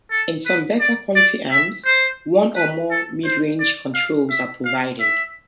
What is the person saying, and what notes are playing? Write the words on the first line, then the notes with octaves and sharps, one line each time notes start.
In some better quality amps, one or more midrange controls are provided.
A4
B4
D5
D5
E5
C5
B4
A4
C5
D5
F5
E5
F5
E5